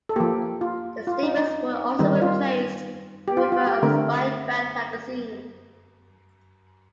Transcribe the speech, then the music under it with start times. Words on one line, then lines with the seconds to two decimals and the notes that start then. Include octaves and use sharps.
The staples were also replaced in favour of a spine bound magazine.
0.09 A4
0.16 F3 A#3 G4
0.61 F4
1.07 F4
1.23 D#4
1.38 D#4
1.99 D#3 G3 C4 D#4
2.22 F4
3.28 G4
3.37 F4
3.52 F4
3.67 G4
3.82 D3 A3 C4 A#4